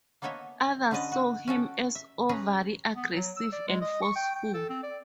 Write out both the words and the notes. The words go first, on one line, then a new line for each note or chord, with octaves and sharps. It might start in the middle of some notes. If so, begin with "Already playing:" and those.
Others saw him as overly aggressive and forceful.
A#3 B3 A4 C#5 D#5 E5
D3 G3 C#4 B4 D#5 A5
F#4
C#4 F#4 A4 G5
E5
C#4 G#4 B4 A#5
B3
F#3
E6
D5
G#3
D#5
C#6
G5
G5
A4
C4
D5